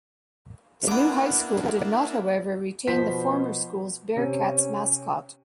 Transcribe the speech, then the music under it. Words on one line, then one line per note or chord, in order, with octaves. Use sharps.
The new high school did not, however, retain the former school's "Bearcats" mascot.
A#3 B3 D4 E4 D6
B2 F3 C5 B6
C3 C#4